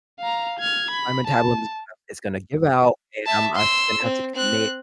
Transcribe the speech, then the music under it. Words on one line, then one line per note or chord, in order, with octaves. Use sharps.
my metabolism is gonna is gonna give out, and I'm obviously gonna have to commit
F5 A#5
F6 G#6
B5
A5
E5 A5
C6 E6
C4
C4 F#6